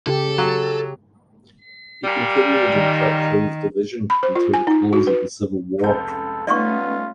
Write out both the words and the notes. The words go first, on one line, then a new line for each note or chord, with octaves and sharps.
He continued in Churchill's division until the close of the Civil War.
C#3 G4 A4
F#3
A#2 G3
D#3
B5
C5
F4
G#5
D#4
F#4
B4
F1 C#2 A4 G6
G3 A3 B3 C#4 D#4 F4 D5 C#6